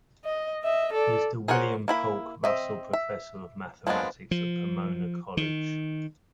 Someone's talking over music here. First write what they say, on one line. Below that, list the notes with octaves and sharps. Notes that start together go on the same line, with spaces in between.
He is the William Polk Russell Professor of Mathematics at Pomona College.
D#5
D#5 E5
A4 D5
G#4 A#4 C5 C#5 F#5
A#3 E4 B5
C4 D#5 E5
E5
F3 G#3 A#3 B3 D4
F3
D#3